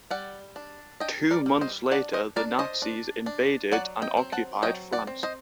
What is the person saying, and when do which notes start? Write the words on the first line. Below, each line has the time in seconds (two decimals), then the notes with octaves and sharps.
Two months later the Nazis invaded and occupied France.
0.10 G3 D5 F#5
0.56 D4
1.00 D4 D#5 G5
1.31 A#4 D5
1.46 G3
1.61 C5 D#5
1.91 D4 D5 F#5
2.13 C5 D#5
2.36 D4 A#4 D5
2.59 C5 D#5
2.82 D4
3.26 D4
3.72 F#3 D5 F#5
4.02 D#5 G5
4.17 C4
4.32 F#5 A5
4.62 F#3 D#5 G5
4.92 D5 F#5
5.07 C4
5.23 C5 D#5